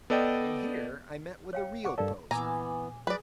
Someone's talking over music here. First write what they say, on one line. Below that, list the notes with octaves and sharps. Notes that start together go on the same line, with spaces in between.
And here I met with a real poser.
B3 A4 D5 D#5 G5
C#5 F5 G5
F#5 C#6 D6
G2 A4 A#4 D5 F5 A5
A#2 E3 B3 G#5 A#5 D6 E6
F#3 G#4 B4 D5